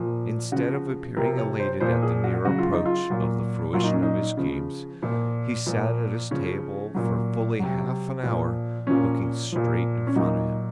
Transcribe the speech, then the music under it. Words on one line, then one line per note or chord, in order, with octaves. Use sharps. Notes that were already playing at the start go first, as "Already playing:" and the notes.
Instead of appearing elated at the near approach of the fruition of his schemes, he sat at his table for fully half an hour looking straight in front of him.
Already playing: A#2 F3
C#3 F3 F#4
C3 F3 A#4
C#5
C5
A#2 F3 C5
G#4
F#4
C#3 F#3 F#4
F4
D#4
F4
A#2 F#3
A#2 F#3 F4
D#4
C#4
D#4
C#3 F3
A#2 F3
A#2 F3
C#3 F3 C#4
A#2 F#3
C3 F#3
A#2 F3
A#2 F3 C#4
A#2 F3
C#4
A#2 F#3 D#4